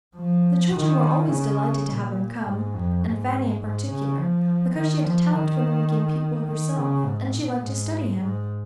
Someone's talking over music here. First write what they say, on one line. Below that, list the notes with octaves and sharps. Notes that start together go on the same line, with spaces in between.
The children were always delighted to have him come, and Fanny in particular, because she had a talent for mimicking people herself, and she liked to study him.
F3
D#3
C#3
A#2
G#2
F2
G#2
G#2
C#3
F3
D#3
F3
D#3
D#3
C#3
G#2
A#2
G#2
G#2